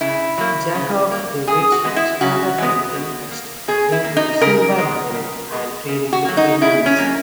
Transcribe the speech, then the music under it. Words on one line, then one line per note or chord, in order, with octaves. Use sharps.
Jakob the Rich expanded their interests into silver mining and trading with Venice.
C#3 E4
F#3 A#3
C#3
F#3 A#3
C#3 G#4
F#4
E3 G#3 B3
E4
C#3 F#4
E3 G#3 B3
B2
A#3
B2 G#4
E4
A#3
D#4
C#3 A#4
G#3 B3
C#3
G#3 B3
C#3
F#4
F#3 A#3
D#4
C#3 E4
C#4
F#3 A#3